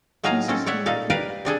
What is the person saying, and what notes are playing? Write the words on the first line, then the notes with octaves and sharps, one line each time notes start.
Mrs. Dean came.
A2 F#3 D#4 F5 G#5 A#5
C4 C#4 A4
C#5 D5 E5 F#5
A#2 D#4 A4 F5
G4 A#4 B4 D5 F5
C3 D4 G#4 A4